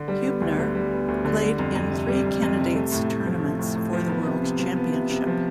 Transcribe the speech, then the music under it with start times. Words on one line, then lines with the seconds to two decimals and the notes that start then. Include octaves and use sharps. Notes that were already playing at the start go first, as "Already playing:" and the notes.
Hubner played in three Candidates Tournaments for the World Championship.
Already playing: D3
0.08 G3
0.25 B3
0.41 D2
0.59 D3
0.75 G3
0.91 B3
1.08 D2
1.25 D3
1.42 G3
1.59 F2
1.75 F2
1.92 C3
2.09 G3
2.26 F2
2.42 F2
2.59 C3
2.75 A3
2.92 A2
3.09 A2
3.26 F3
3.42 A3
3.59 A2
3.76 A2
3.93 F3
4.10 B3
4.26 C3
4.43 C3
4.60 F3
4.76 B3
4.93 C3
5.10 C3
5.27 F3